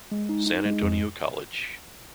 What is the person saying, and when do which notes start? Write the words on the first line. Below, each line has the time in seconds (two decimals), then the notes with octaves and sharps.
San Antonio College.
0.12 G#3
0.29 D#4
0.47 D#4
0.65 G#3
0.83 F2